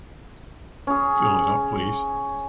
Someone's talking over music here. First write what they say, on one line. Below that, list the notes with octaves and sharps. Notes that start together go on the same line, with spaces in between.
Fill it up, please.
C#4 G#4